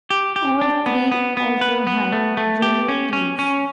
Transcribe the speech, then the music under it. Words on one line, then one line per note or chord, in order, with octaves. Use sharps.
All three also have junior teams.
G4
G4
D4
B3
B3
B3
B4
B3
A3
A3
G4
C#4
C#4
C#4